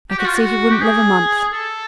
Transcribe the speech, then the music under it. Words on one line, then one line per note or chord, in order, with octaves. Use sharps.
I could see he wouldn't live a month.
G4
F#4
F4
F#4
G4
G#4
A4